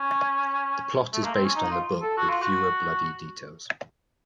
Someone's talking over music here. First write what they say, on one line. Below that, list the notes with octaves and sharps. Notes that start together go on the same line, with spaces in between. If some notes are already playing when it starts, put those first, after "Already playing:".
The plot is based on the book with fewer bloody details.
Already playing: C#4
A3
A#3
C4
C#4
D#4
F4
A4
F#4
F4
F#4